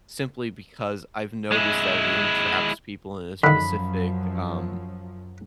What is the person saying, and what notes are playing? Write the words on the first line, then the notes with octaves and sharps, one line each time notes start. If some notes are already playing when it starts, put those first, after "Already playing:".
simply because I've noticed that it entraps people in a specific, um,
G#3 E4
F#2 D3 D#3 F3 F#3 B5